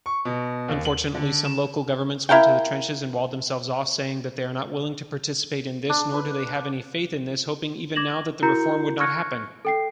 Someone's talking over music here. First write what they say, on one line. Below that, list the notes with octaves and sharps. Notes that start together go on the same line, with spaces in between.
Unfortunately some local governments went to the trenches and walled themselves off, saying that they are not willing to participate in this nor do they have any faith in this, hoping even now that the reform would not happen.
C#6
B2
D#2
F#7
D3
E7
E4 A#4 F5 G5
D4
B4
D6 G#6 A#6 E7 F#7
E4 F#4 A#4 A#5 G6 C#7
C#6 F6 F#6 G#6 A#6 C#7
A4 G5 C7